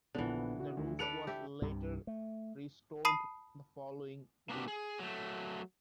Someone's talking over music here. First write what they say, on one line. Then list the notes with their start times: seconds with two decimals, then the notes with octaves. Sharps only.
The roof was later restored the following week.
0.15 A#1 D3 E3 B3
0.59 F#4
0.77 D2
0.99 A4 B4 D5 C#7 F7
1.27 G4 E5
1.61 C2 G2 C3
2.07 A3
3.05 A5 B5 D#6 C7 D#7
4.49 A#3 B3 D4 F#4 G4
4.68 G#4
4.99 F#3 A3